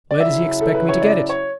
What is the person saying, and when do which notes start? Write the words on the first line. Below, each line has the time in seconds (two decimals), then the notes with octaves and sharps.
Where does he expect me to get it?
0.11 D5
0.19 C#3 F#3 C#4 E4 E5
0.61 A4
0.74 B4
0.89 C#5
1.02 D5
1.29 C#5